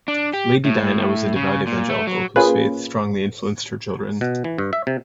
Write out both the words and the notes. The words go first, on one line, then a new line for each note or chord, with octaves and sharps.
Lady Diana was a devout evangelical whose faith strongly influenced her children.
D4
G4
A2
C#3
A#2
A3
F#3
A#3 C#4 F4 G#4 B4
B2
E3
G2
E5
C3